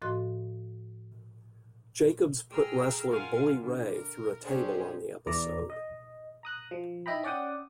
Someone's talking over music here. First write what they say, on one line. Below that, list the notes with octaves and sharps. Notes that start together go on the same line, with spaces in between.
Jacobs put wrestler Bully Ray through a table on the episode.
A2 F3 F#4 D#5 C6 F#6
G#4 G5 A#5 E6 F6
F4 A#4 F5 F#5 G#5
D3
A#4
C#4 D4 G4 G#4 C5
E2 E3 D5 A#5
D#5
A#5 D#6 F#6
F3
D#4 E4 D#5 G5 A#5 B5
C#4 D5 F#5 G5 D#6